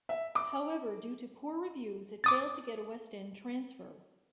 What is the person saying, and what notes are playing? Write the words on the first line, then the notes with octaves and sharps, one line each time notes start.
However, due to poor reviews, it failed to get a West End transfer.
E5
D6
D6 D#6 A6